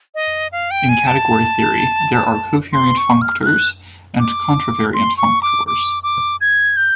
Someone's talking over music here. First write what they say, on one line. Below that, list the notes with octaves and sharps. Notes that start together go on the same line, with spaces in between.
In category theory, there are covariant functors and contravariant functors.
D#5
F5
G5
G#5
A5
C6
C#6
F6
F6
F#6
D6
C6
C#6
D6
D6
D6
G#6
G6